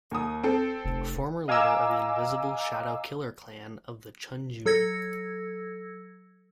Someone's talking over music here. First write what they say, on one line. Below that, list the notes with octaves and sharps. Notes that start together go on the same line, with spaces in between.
A former leader of the Invisible Shadow Killer Clan of the Chunjoo.
D#2 D#6
C4 A4
F1
D#5 F5 G#5 A#5 D6 E6
F#3 A4 E6 G#6 A#6 C#7